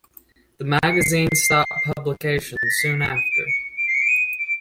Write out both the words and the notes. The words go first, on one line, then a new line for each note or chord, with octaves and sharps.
The magazine stopped publication soon after.
C#7
C7
C7
A6
A#6
B6
C7
C#7
C#7
D#7
D7
C#7
D7
C7
C#7
D7
D#7
D7